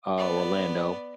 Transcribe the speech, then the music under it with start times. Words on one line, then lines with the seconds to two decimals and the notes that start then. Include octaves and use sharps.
uh, Orlando.
0.17 B3 D5